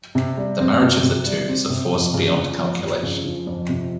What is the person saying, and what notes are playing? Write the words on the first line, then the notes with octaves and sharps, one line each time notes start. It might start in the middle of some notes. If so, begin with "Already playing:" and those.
The marriage of the two is a force beyond calculation.
C3
G3
C4
C3
C3
G3
C4
C3
F2
C#3
F3
F2
F2
C#3
F3
F2
C3